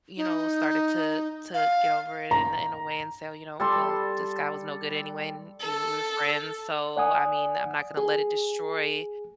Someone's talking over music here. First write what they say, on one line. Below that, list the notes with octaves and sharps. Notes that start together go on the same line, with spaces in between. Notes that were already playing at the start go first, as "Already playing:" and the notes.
you know, started to to get over it in a in a way and say, "Oh, you know, well, this guy was no good anyway, and we were we were friends. So, I mean, I'm not gonna let it destroy
D#4
F5
A#5
G3 A4 C6
A4
D5 F#5 G#5 D#6
G#4